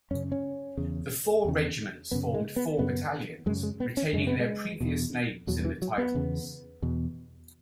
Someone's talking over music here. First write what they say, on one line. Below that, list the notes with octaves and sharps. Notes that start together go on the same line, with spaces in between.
The four regiments formed four battalions, retaining their previous names in the titles.
F#2 C#3 C#4
C#4
E2 C#3
E2 C#3
F#2 C#3 B3
G#3
B3
F#2 C#3 B3
F#2 C#3 G#3
G#3
B3
C#4
F#2 C#3 G#3
B3
G#3
E2 B2
E2 B2 F#3
E3
F#3
B3
E2 C#3
E2 B2